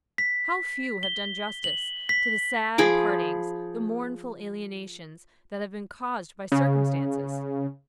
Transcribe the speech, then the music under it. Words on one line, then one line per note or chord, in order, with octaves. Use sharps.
How few have done justice to the sad partings, the mournful alienations that have been caused by circumstances!
B6
G7
F#7
B6
F3 G#4 B5 D6
C#3